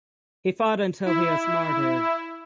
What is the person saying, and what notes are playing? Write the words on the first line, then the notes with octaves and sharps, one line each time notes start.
He fought until he was martyred.
E4